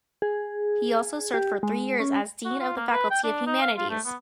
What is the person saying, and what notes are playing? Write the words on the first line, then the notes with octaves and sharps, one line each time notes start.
He also served for three years as Dean of the Faculty of Humanities.
G#4
G4
G#3
C#4
F#4
F4
A#3
B4
G5
D4
D#4
F5
F4
A3
B3